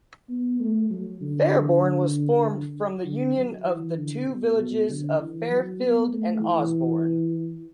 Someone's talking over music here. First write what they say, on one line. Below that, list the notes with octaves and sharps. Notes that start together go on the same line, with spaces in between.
Fairborn was formed from the union of the two villages of Fairfield and Osborn.
B3
A3
F#3
D3
D3
F#3
E3
D3
B2
B2
D3
E3
F#3
B3
A3
E3